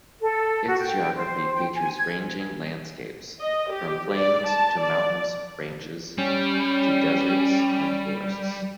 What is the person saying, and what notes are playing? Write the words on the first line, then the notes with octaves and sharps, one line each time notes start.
Its geography features ranging landscapes, from plains to mountains ranges to deserts and forests.
A4
F#4
G5
C5
G5
G#5
G#6
D#5
G4
D5
A5
D5
G3 C#4